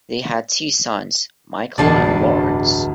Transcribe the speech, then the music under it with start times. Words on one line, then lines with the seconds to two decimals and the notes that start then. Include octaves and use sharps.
They had two sons, Michael and Lawrence.
1.78 D1 E2 G2 D5 A5 C7